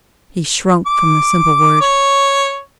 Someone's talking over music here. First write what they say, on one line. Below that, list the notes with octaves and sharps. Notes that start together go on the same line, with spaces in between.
He shrunk from the simple word.
D6
C#5